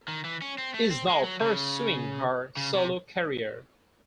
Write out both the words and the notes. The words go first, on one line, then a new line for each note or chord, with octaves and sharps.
Is now pursuing her solo career.
D#3
E3
C#4
C4
A3
C4
G#3
F#3
C#3
C#3
C3